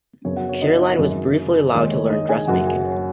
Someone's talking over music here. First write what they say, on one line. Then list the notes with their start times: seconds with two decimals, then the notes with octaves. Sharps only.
Caroline was briefly allowed to learn dress-making.
0.25 F#2 C#3 B3 C#5
0.37 F#4 F#5
0.49 C#5
0.62 D#4 D#5
0.80 D#4 D#5
0.98 G#1 F#2 C#3
1.73 D#2 D#3 G#3 C#5
1.92 C#5
2.10 D#4 D#5
2.29 G#4 G#5
2.47 F#1 F#2 C#3 F#4 F#5
2.66 G#4 G#5
2.85 C#5